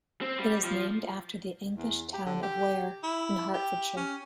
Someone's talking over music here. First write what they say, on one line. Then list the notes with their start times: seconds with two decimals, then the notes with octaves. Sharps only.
It is named after the English town of Ware in Hertfordshire.
0.21 C4
0.39 G3
0.64 F3
1.77 E2
2.14 G4
2.26 D3
2.43 G4
3.03 E4
3.54 G4
3.97 C#4